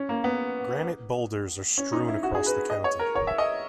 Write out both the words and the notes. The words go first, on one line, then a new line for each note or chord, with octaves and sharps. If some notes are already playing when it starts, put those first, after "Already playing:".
Granite boulders are strewn across the county.
Already playing: C#4
A#3
B3
C#4
D#4
E4
F#4
G#4
B4
D#5
C#5
A#4
C#5
E5
D#5